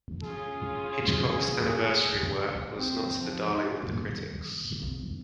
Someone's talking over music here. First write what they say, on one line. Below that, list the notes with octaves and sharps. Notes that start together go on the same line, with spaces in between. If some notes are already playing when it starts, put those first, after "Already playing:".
Hitchcock's anniversary work was not the darling of the critics.
C#4 F4 G#4
C4
F3
D#4
D#3 G3
B1 F2